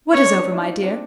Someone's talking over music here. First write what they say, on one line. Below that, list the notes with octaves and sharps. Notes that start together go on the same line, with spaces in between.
"What is over, my dear?"
B3 C#4 C#5
C4 D4
C#4 D#4
D4 E4
D#4 F4
C4 D4